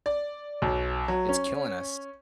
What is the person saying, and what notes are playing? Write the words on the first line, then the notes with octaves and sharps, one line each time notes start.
It's killing us.
D5
B1
F#3
C#4